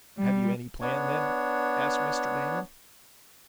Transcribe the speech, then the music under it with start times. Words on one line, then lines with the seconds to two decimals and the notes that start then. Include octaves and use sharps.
"Have you any plan, then?" asked Mr. Damon.
0.17 G3
0.81 B3 D4 C#5